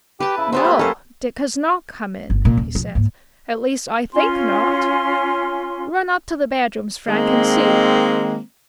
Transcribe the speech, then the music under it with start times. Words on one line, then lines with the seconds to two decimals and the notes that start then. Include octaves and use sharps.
"No, Dick has not come in," he said, "at least, I think not. Run up to the bedrooms, Frank, and see."
0.20 G4 B4 A5
0.38 C#3 E4
0.52 F#3 B3 G4 B4 C5 E5
0.65 A3 A#3
0.79 A#3 C#4 A4 C5
2.30 G1
2.45 A#2 D#3
2.57 D#1
2.75 A#2 F3
2.95 G#2 A#3
4.14 C#4 F4 G#5 C6
7.07 D#3 G#3 A#3 C4